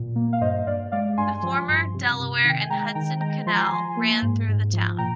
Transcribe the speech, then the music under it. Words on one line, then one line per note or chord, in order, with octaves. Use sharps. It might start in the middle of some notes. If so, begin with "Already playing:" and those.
The former Delaware and Hudson Canal ran through the town.
Already playing: A#2
A#3
F5
G2 C5 D#5
G2 D5 F5
G#3 D5 F5
G2 G#5 C6
F3
G2
C3
C3
D#3
G5
G#5
G#3 G5 A#5
D#3 G5 A#5
G#3 G5 A#5
F3 C6
A#5
G#5 C6
F3
A#3
G#2
G#2
F3
A#2 G5 A#5